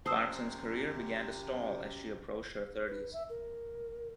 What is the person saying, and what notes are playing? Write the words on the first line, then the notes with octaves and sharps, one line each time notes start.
Clarkson's career began to stall as she approached her thirties.
F#2 C3 C5 A5 D#6 E6
B4
E5
A#4